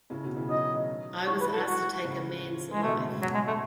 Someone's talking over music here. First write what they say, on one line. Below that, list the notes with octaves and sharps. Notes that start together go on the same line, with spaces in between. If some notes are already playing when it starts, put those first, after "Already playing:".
I was asked to take a man's life.
A2 C#3
B2 D#3
C#3 E3
D#3 F#3 D#5
E3 G#3 C#5
B4
A4
F#4
A2 C#3
G#3
B2 A3
C#3
G#2 B2
F#3
G#3
A3